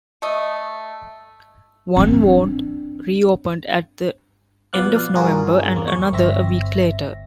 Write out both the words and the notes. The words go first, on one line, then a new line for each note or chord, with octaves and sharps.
One ward reopened at the end of November and another a week later.
A3 D#5
C4 D4
B2 F3 B3 D5 F5 F#6
G2 D4 F4 F#4 G#4 A#4
E2 A#3
C#5
G1 C4 E5 A#6